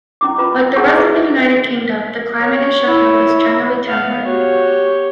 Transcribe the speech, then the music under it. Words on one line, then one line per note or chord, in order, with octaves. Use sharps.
Like the rest of the United Kingdom, the climate in Sheffield is generally temperate.
C#4 E4 D6
F4 B4 A#5 B5
D#4 G#4 F#5 A#5 C6 C#6
E4 G#4 B4 D#5 E5
C#5
E4
B3 F5
F#4 G4 C#5